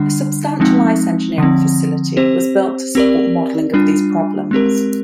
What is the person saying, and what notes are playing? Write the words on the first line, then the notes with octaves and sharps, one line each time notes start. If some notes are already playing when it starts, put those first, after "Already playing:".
A substantial ice engineering facility was built to support modeling of these problems.
Already playing: D3 G3 D4
F3 G#3 C4 D#4
D3 F3 C4
C4 G4 C5
C4 G4 A#4 D5
G3 D4 F4
G#3 C4 G4 A#4